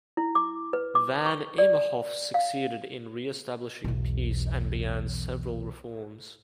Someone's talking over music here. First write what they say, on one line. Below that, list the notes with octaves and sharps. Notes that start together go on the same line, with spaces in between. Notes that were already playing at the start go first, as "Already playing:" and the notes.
Van Imhoff succeeded in reestablishing peace and began several reforms.
E4
D6
B4
D6
C#6
D5
F5
B1 E2